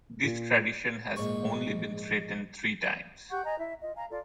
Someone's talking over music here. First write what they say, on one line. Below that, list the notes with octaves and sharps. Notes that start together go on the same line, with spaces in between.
This tradition has only been threatened three times.
A#2
A#1 G#2 C#6
G4 F#5 C#6 G6
D#5 G#5 A#5
E4 E5
F4 D#5
F5 G#5 A#5
F4 A4 D5